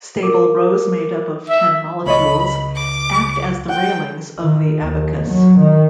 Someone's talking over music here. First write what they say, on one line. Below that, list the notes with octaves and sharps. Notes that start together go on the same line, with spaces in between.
Stable rows made up of ten molecules act as the railings of the abacus.
A#4 D6
E5
C#2 C#5 D#5 B5
D6
F#5 G5
D#3
D#2
F#3
D#3